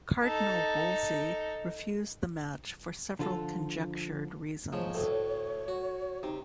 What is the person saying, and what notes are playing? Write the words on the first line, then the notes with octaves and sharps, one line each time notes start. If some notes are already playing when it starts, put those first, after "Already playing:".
Cardinal Wolsey refused the match for several conjectured reasons.
D#4 A4
D3 F3 F4 A4
G#2 F3 C#5
D2 A2
F#4
C3 D#4